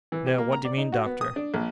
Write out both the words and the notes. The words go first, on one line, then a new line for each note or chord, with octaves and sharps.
"No! what do you mean, doctor?"
E3
G4
A#3
A#5
D5
D#4
F#4
B3
D#6
D4
A#1